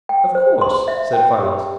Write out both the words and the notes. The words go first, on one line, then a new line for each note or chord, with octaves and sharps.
"Of course," said Files.
G5
C5
C6
E5
G5
G4